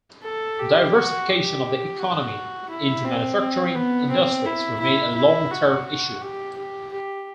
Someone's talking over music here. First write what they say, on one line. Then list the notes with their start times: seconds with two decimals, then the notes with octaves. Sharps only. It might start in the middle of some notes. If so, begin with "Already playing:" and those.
Diversification of the economy into manufacturing industries remain a long-term issue.
0.23 A4
0.59 G4
0.93 F#4
1.29 G4
1.99 F#4
2.70 E4
3.05 C4
3.40 C4
3.75 B3
4.10 C4
4.46 E4
4.80 E4
5.15 E4
5.51 F#4
5.86 F#4
6.21 G4
6.57 G4
6.92 G4